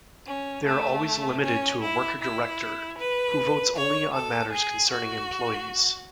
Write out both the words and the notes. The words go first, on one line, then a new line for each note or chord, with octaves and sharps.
They are always limited to a Worker-Director, who votes only on matters concerning employees.
C#4
A3
C#4
E4
E4
B4
C#5
A4
G#4
F#4